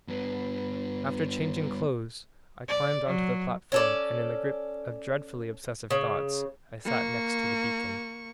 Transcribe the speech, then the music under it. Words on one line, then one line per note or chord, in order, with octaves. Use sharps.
After changing clothes, I climbed onto the platform, and in the grip of dreadfully obsessive thoughts, I sat next to the beacon.
G2 B3
D5
F#3
C#4 A4 D5
C#3
A#3 C#6